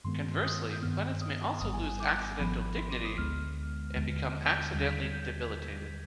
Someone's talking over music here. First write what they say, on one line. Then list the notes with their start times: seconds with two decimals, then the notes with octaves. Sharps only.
Conversely planets may also lose accidental dignity and become accidentally debilitated.
0.04 G2 D#3 G#3 B3 C6
0.43 D#6
0.73 G6
0.82 G2 D#3 B3 F6
1.22 D#6
1.60 G#1 G#2 G3 B3 D#6
1.73 G#5
2.00 D6
2.39 G#1 G#2 F3 B3 B5
2.78 C6
2.91 D6
3.05 D#6
3.17 D2 D3 G#3 B3 F6
3.96 D#2 D3 G#3 B3 F6
4.74 D#2 D3 G3 G6
4.87 B6
5.00 G#6
5.13 G6